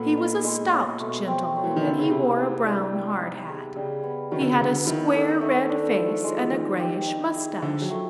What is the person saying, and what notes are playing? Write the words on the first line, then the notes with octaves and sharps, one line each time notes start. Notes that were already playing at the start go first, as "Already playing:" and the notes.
He was a stout gentleman and he wore a brown hard hat; he had a square red face and a greyish moustache.
Already playing: A#2 B3 A4
D#4
G#3
C#4
B2 A3
C4
F#3
E3
D#3
D3 B3
C#3
C3 E4
G#4
D4
G4
D#4
G#4
C#3 G3
B3
D#3 F#3
D3
C#3
D3 B3
D#3 E4
A4
A3
D4
F3
G#3
E3
D#3 D#4
G4
D#4
G#4
D3 F3
F#3
A3